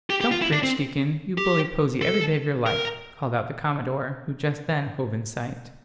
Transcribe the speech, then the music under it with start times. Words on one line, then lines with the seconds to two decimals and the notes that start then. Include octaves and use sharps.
"Don't preach, Deacon, you bully Posy every day of your life," called out the Commodore, who just then hove in sight.
0.10 G4
0.21 G4
0.31 F4
0.42 E4
0.52 D4
0.63 C4
1.38 G4
2.02 A4
2.66 A#4